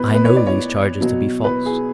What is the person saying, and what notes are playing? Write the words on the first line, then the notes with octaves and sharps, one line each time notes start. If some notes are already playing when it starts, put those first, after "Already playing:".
I know these charges to be false.
Already playing: B2 B4
B4
C#5
D5
C#5
B2 F#3
B4
G#4